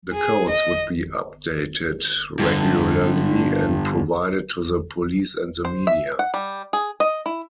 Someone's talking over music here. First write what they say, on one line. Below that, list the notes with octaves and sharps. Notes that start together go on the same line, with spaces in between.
The codes would be updated regularly and provided to the police and the media.
G#4
D#5
G2 D3
C5
E5
F#5
G3
G#4
D#5
E4